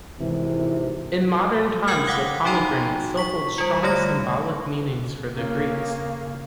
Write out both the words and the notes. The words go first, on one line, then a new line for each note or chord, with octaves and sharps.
In modern times, the pomegranate still holds strong symbolic meanings for the Greeks.
G#1 C3 E3
A#4 G5 D#6 G#6
F5 F#5 D6 F#6
D#4 F#4 G5 A#5 C6
C#6 B6
G3 F4
D3 G3 A3 C#5 A#6
C#3 A#3